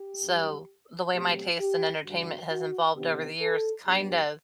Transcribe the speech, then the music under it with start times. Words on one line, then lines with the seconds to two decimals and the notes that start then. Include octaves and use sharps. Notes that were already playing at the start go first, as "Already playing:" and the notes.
so the way my taste in entertainment has involved over the years kind of
Already playing: G4
0.22 F#2 E3 G3
1.13 B2 F#3 A3 C4 G4
1.59 G4
2.05 G2 D3 G3 F#4
2.50 F#4
2.96 C3 E3 B3 D4 G4
3.41 A4
3.86 G2 F#3 B3 D4 G4